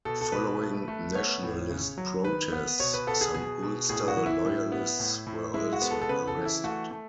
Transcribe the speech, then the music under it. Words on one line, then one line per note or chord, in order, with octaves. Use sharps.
Following nationalist protests, some Ulster loyalists were also arrested.
B2 A4
A4
B2 B4
A3
A3
B3 C#5
A2
C#3
F#3
D#3 B4
B3
B2 C#5
B4
B3 A4
G#4
B2 G#4
B2
A2 G#4
F#4
E3
E4
A2
B3
A2
A2
G#3 E4
F#4
B3
A4
A4
C#3 B4
A4
E3
E4
A3 F#4
A3